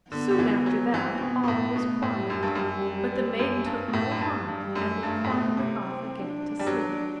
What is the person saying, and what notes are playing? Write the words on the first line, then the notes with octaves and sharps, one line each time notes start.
Soon after that all was quiet, but the Maiden took no harm, and went quietly off again to sleep.
D3 B3
D3
E3
F#3
E3 C4
B2
B3
B2
A2
B2 A3
A2
G3
F#2
G2
F#2
F#2
G2
B2
A2
F#2
G2
G2
G3
F#2
G2 A3
A2
B2
C3
C4
D4
G3
F#3